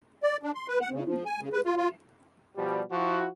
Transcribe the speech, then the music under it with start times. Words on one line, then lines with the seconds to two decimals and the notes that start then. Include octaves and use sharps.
They told me he was there.
0.23 D5
0.43 D4
0.55 C6
0.68 B4
0.81 F#5
0.94 C#3
1.07 F3
1.26 G#5
1.41 C#3
1.53 B4
1.65 F4
1.77 F4
2.56 B2 F3 G3
2.91 F3 E4 F#4